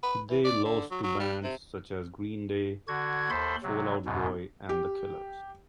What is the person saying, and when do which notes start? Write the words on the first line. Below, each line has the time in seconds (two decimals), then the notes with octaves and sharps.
They lost to bands such as Green Day, Fall Out Boy, and The Killers.
0.03 B4
0.30 E3
0.44 D5
0.64 D3
0.91 F#3
1.03 F#3
1.20 G3
1.43 C3
2.88 D3 F#4 G#6
3.30 D#2 A4 C5 B5 C6
3.63 C3 F#3
4.05 E2 G#2 B2
4.69 G4